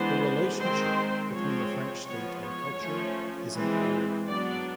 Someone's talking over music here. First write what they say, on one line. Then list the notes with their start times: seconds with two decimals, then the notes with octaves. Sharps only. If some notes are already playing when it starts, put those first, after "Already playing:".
The relationship between the French state and culture is an old one.
Already playing: E3 G#3 B3 D4 C5
0.58 D#3 G#3 C4 C5
1.32 F3 G#3 C4 C#5
2.06 F3 G#3 B3 C#5
2.42 C#5
2.80 F3 A3 C#4
3.53 E3 G#3 C4
4.27 F#3 B3 D4 D5